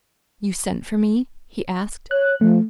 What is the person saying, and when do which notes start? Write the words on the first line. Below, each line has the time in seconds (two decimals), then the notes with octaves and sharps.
"You sent for me?" he asked.
2.11 C#5 F#6
2.41 F3 A3